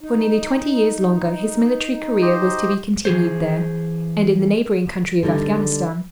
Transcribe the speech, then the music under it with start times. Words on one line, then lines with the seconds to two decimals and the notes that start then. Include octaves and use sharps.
For nearly twenty years longer his military career was to be continued there, and in the neighboring country of Afghanistan.
0.01 D#4
2.22 G4 C5 D#5
3.05 E3 G#4 C5
5.23 D3 G3 D#4